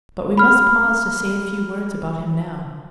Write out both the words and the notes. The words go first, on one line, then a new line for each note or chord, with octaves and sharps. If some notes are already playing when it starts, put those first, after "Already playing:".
But we must pause to say a few words about him now.
B5 F6